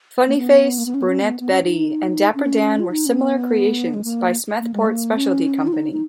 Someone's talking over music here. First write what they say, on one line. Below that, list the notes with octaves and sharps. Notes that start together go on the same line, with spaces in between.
Funny Face, Brunette Betty, and Dapper Dan were similar creations by Smethport Specialty Company.
A#3
B3
A#3
B3
C#4
B3
C#4
B3
B3
C#4
D#4
C#4
F4
D#4
C#4
B3
G#3
A#3
A#3
G#3
A#3
B3
C#4
F4
D#4
D#4